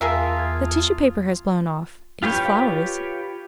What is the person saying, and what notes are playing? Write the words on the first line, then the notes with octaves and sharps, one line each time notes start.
"The tissue paper has blown off: it is flowers."
E2 F4 G#4 A#4 E5 F5 A5 D#6
D#6 F6 G#6
F4 G4 B4 C#5 G5